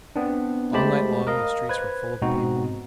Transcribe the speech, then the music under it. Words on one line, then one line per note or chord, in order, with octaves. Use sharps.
All night long the streets were full of people.
B3 C4 D4
G#3 A3 G4 C5 A5 B5
A#4 D#5 F5
B4 C5 G#6
G#2 B2 C4 D#4 F#4